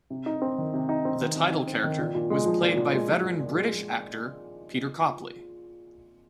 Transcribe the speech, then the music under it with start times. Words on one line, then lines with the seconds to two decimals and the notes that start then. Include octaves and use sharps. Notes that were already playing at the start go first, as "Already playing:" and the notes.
The title character was played by veteran British actor Peter Copley.
0.10 C3
0.26 D#4
0.42 C4
0.58 D#3
0.74 C3
0.89 D#4
1.05 C4
1.21 D#3
1.36 C3
1.52 D#4
1.67 C4
1.84 D#3
1.99 A#2
2.15 A#2
2.30 G#3
2.46 F3
2.62 A#2
2.77 A#2
2.93 G#3
3.09 F3
3.24 A#2
3.39 A#2
3.56 G#3
3.72 F3